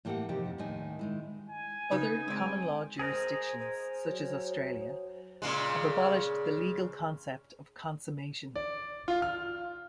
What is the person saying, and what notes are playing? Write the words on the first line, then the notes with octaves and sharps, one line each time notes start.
Other common law jurisdictions, such as Australia, have abolished the legal concept of consummation.
A2 E3 A#3 G4 A#4 F#5
F2 C3 D#4 G4
D#2 A2 D#3 D#5 G#5
D#3 G#3 E4
G#5
C#3 D#4 B4
G#3 C4 D5
G#4 A#4 C5 D#5
C5
F#3
A#2 C#3 G#3
D5
F4
F6